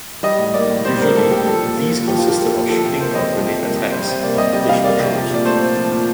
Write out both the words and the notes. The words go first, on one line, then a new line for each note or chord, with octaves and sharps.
Usually, these consisted of shooting or grenade attacks on British patrols.
G3 D#5
A2
A#3 D5
A2
G3 C5
A2 A#4
A#3 A4
A2 G4
F3 A4
A#2
A#3
A#2
F3 G4
A#2 F4
G4
A#3
A#2
F3 A4
C3
A#3 C5
C3 D#5
F3
C3
A#3
C3
G3 C5
C3
A#3 D5
C3 D#5
G3 D#5
C3 F5
A#3 D5
C3
F3
A#2 D5
A3 C5
A#2
F3
A#2